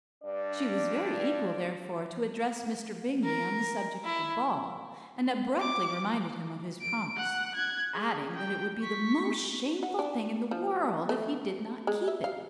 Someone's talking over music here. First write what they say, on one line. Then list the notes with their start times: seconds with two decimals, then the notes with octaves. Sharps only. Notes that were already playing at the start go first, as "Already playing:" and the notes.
She was very equal, therefore, to address Mr. Bingley on the subject of the ball, and abruptly reminded him of his promise; adding, that it would be the most shameful thing in the world if he did not keep it.
0.23 G2 D4 D5
3.24 A#4
4.04 E4
5.59 D6
6.81 D7
7.16 F#5 F#6
7.54 F#6 G#6
7.94 G#4
8.36 G5
8.81 C#6 B6
9.83 F#4
9.99 D4
10.51 F3
11.09 A3
11.87 G#3
12.08 E5
12.24 F5